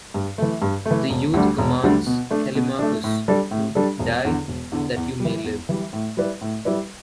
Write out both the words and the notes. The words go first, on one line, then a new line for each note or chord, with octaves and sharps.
The youth commands Callimachus to, die, that you may live.
G2
E3 A3
G2
A3
E3
E1
D2 D3 G3 D4
E1
D2 D3 G3 D4
B2
A3 D4
B2
A3 D4
A2
G3 D4 A4 D5
A2
G3 D4 A4 D5
E1
E2 D3
E1
E2 D3
E2
G3
E3
E2
E3 G3
A2
G3 E4 B4 D5
A2
G3 E4 B4 D5